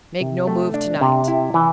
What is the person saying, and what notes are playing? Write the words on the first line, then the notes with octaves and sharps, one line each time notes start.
Make no move to-night.
C3
A3
D4
C3
E4
E3